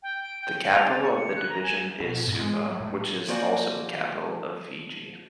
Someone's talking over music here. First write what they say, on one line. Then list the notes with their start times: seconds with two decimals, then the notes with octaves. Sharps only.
The capital of the division is Suva, which is also the capital of Fiji.
0.03 G5
0.23 D7
0.42 G5
0.59 C#7
0.75 F7
0.89 A6
1.02 C#6
1.16 C#7
1.37 F#6
1.50 A#5
1.63 G#5
2.00 B2
2.27 G#2
2.39 G#3
2.69 F#3
2.80 A2
3.28 F3 A#3 F#4 C5 D5 G#5